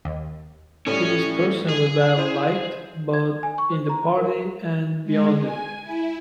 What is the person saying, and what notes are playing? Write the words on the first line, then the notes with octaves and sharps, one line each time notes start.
He was personally well-liked, both in the party and beyond it.
D#2
A2 G3 C#4 C#5
G#4
E4 C5
G#6
G#5
C#6
C5
A#5
A#4
G#3
G#5
E4